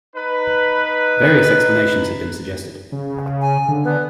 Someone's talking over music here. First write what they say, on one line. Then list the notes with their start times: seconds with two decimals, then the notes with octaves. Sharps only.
Various explanations have been suggested.
0.16 D#4 B4
2.92 C#3
3.41 G#5
3.69 D3
3.84 B3